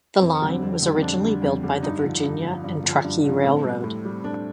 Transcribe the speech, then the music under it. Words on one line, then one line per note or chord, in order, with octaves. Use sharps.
The line was originally built by the Virginia and Truckee Railroad.
F2 C4
D3 G3
C4
F2
D3 G3
C4
F2 D4
D3 G3
F2
D3 G3
G2 D#4
D3 F3
G2
D3 F3
G2
D3 F3
G2
D3 F3
A2 C4
G3
A2
G3
A2 D4